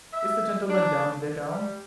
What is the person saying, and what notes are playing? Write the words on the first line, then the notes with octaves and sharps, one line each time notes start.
"Is the gentleman down in the town?"
E5
D4
D3
G3